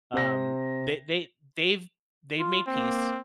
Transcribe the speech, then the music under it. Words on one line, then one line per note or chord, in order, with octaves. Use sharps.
um, they they they've they've made peace.
C3 C5 A#6
F4
A#3 C4